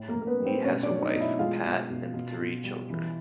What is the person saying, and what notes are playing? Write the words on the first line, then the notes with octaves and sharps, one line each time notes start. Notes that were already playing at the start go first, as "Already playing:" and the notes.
He has a wife, Pat, and three children.
Already playing: A2
A#3 A#4
A2
A#4
B3 B4
G3
C4 C5
B2 C#4 C#5
D4 D5
F#3
D5
D#4 D#5
B2
E4 E5
G#3 F4 F5
B2
B2
B2
B2
G3
E3